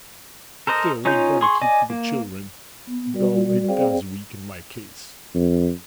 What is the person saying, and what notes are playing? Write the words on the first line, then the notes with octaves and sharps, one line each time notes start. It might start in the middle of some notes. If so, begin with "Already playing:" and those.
Still we'd better keep to the children, though it does weaken my case.
A4 A#4 C5 D#5
C#4 D#4 F4 C#5 G6
G#4 C6 C#6
D5 D#5 G#5
A#3
B3
G3 F#4 A#4 D5
C4 G#4 C5 D5 F5 G5
F2